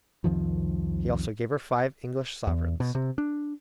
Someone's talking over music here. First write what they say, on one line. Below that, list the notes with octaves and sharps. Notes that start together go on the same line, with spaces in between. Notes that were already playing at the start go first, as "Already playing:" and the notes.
He also gave her five English sovereigns.
C2 F2 D#3 F3
E2
B2
C3
D4